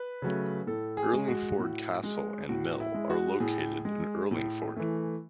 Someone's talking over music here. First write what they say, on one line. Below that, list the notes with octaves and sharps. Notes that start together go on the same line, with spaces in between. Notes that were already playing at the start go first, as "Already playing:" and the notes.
Urlingford Castle and mill are located in Urlingford.
Already playing: B4
C#3 F#3 A3
A2 A4
G#4
G#3
F#4
A2
G#3
A2 F#4
E4
G#3
F#4
A2 G#4
G#3
A2
E3 A3